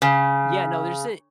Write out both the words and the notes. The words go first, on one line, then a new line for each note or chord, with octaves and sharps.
Yeah, no, there's a
C#3